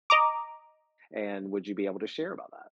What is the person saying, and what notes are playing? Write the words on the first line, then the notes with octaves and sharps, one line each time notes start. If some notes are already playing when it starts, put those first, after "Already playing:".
And would you be able to share about that?
D#5 A#5 D6